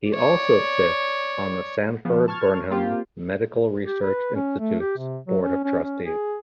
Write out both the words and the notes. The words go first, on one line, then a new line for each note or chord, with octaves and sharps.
He also sits on the Sanford-Burnham Medical Research Institute's Board of Trustees.
C#5 D5
C#3 F3 B3
A5 C#6 F6 G#6
A#3 C4 F4 G4
G4
B4
C#4
A3
G4
C3
F#3
C#4
C#4
C#4
G#4